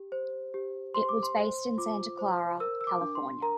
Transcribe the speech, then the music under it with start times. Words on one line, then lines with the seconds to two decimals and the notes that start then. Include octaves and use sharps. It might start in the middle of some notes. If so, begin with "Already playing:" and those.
It was based in Santa Clara, California.
Already playing: G4
0.12 C5
0.54 G4
0.94 C5 C6
1.09 D6
1.23 C6
1.37 C5
1.78 F4 D6
2.19 C5
2.60 A#4 E6
2.81 E6
2.87 D6
3.01 D4
3.15 C6
3.42 A#4 A#5